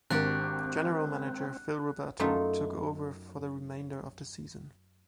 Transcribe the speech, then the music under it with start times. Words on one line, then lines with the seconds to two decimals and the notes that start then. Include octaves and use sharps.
General manager Phil Roberto took over for the remainder of the season.
0.11 G#1 C4 D4 F#4 G4 A#4 F#6
2.19 F#2 A3 D#4 F4 E5